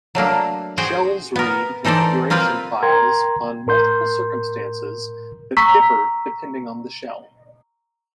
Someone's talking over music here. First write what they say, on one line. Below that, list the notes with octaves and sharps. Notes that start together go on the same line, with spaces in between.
Shells read configuration files on multiple circumstances that differ depending on the shell.
F#3 A3 A#3 D4
F#4 G#4 C5 G5
B3 A#4
E3 D#4 A4 C5 D5
A#3 C4 F4 G4 B4
A#4 G5 A#5 C6 G#6
A2 A#4 C6 G6
A#5 C#6 E6 B6